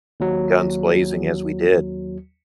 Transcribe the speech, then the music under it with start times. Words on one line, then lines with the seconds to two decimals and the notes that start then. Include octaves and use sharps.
guns blazing as we did,
0.20 D#2 F#3